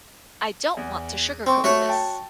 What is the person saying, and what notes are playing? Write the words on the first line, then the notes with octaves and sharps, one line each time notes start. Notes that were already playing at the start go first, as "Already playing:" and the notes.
I don't want to sugarcoat this.
E2
C4 C5 C#6
A3 F#4 C#5 F#5
G5 A5